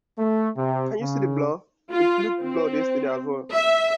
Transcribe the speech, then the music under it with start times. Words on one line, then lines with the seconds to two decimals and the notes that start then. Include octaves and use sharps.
Can you see the blur? It looked blurred yesterday, as well.
0.19 A3
0.57 C3
1.01 C#3
1.91 F4
2.42 C4
3.52 E5